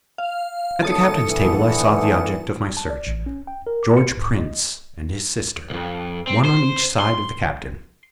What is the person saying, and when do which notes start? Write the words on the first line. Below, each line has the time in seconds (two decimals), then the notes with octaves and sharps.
At the Captain's table I saw the objects of my search: George Prince and his sister, one on each side of the Captain.
0.18 F5
0.83 F#1 B1 A4 A5 D#6 C#7
1.27 D#2 D3 E3
2.77 A5
2.90 D5
3.07 A1
3.26 C#4
3.47 G5
3.67 A#4
3.83 D6
3.97 C#7
4.17 G#2
4.39 D#5
5.70 C2 F2
6.27 C4
6.45 C5
7.00 C6